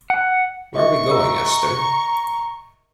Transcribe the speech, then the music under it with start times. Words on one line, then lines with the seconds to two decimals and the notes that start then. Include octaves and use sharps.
Where are we going, Esther?
0.10 F#5
0.76 D#5 E5 C#6
1.11 A#4 A#5